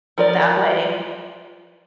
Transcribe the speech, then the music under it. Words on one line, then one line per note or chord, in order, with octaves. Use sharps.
that way.
F3 A#4 D5